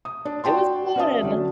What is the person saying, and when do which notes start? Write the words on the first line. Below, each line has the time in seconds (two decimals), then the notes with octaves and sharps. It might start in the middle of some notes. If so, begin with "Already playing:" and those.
It was fun.
0.05 D#6
0.25 D4
0.44 F#4 D5 G5 A5 C6
0.96 C#4 B4 D5 E5 A5 D#6
1.23 D3 F#3 C#4 D4